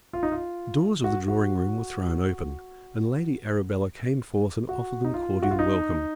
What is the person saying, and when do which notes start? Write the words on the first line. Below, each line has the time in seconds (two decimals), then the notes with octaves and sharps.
The doors of the drawing-room were thrown open, and Lady Arabella came forth and offered them cordial welcome.
0.13 F4
0.23 D#4
0.32 F4
1.04 F#4
1.28 F#4
4.69 F#4
5.05 D#4
5.14 F4
5.43 F#4
5.51 F4
5.59 D#4